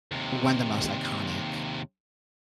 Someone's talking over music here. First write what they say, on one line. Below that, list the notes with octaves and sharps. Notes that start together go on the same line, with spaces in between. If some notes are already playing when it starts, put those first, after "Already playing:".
one of the most iconic,
D#2 C3